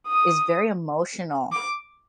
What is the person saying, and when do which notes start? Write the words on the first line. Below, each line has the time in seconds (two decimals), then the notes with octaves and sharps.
is very emotional
0.08 D#6
1.52 D6